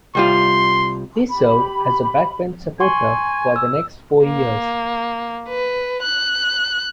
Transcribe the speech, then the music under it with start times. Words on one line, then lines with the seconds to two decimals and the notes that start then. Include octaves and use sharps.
He served as a backbench supporter for the next four years.
0.15 C2 G3 F4 C6
1.30 G4 B5
2.80 G#5 C6 C#6
3.56 E6
4.23 A#3
5.48 B4
6.02 F#6